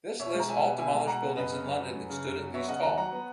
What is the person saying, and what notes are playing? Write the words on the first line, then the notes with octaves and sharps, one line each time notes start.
This lists all demolished buildings in London that stood at least tall.
B2 C#5 E5
G#3 A#5
B2 E5 G#5
B3
B2 E5 G#5
G#3
B2 F#5 A#5
B3
F#2 B4 D#5
C#3
F#2
F#3
F#2
C#3
F#2
F#3
B3 C#5 E5
C#3 D#5 F#5
D#2 F#5 A#5
F#3 F#5 A#5
B3